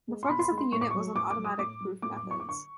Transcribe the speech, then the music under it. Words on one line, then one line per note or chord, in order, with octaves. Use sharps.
The focus of the Unit was on automatic proof methods.
G#3
C6
B2 B5
C6
B5
G#3
C6
A2 C#6
D6
F#3 C#6
A2 D6
D6
F#3
D#6
A2 D6
F#3
A2 D6
D6
F#3
C#6
D6
D3 C#6